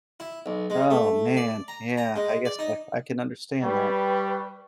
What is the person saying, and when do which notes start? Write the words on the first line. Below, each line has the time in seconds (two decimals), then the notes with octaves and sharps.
Oh, man. Yeah, I guess I I can understand that.
0.20 E4
0.46 B1
0.70 G#3
0.90 A3
1.37 D5
1.68 A#5
1.97 A#5
2.16 G#3
2.45 D5
2.59 D#4
3.63 G3 B4 G5 C#6